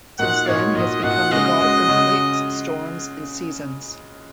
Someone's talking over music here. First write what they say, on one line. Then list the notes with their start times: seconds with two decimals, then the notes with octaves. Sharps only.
Since then he has become the god of earthquakes, storms and seasons.
0.19 A#2 A#3 D#4 F#4 F#5
0.47 A#2 A#3 D#4 F#4 C#5
0.76 A#2 A#3 D#4 F#4 D#5
1.03 A#2 A#3 D#4 F#4 F#5
1.32 C#3 G#3 F#4 D#5
1.61 C#3 G#3 F#4
1.88 C#3 G#3 F#4